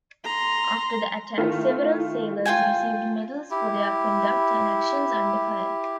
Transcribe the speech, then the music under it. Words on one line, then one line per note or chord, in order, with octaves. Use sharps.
After the attack, several sailors received medals for their conduct and actions under fire.
A#5 C6
D#3 A3 E4 F4
F4 F#4 G5 G#5
E4 G4